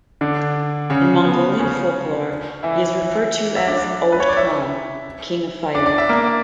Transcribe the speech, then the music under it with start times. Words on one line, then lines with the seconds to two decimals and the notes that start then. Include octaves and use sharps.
In Mongolian folklore he is referred to as the Od Khan "king of fire".
0.21 D3 D4
0.90 C#3 C#4
1.25 B3
1.59 C#3 C#4
2.63 E3 E4
3.56 E5
3.68 D4 D5
4.12 B4
4.20 C#5
4.28 D5
4.37 E4 E5
5.75 D4 D5
5.86 D4 D5
5.98 E4 E5
6.09 A#3 A#4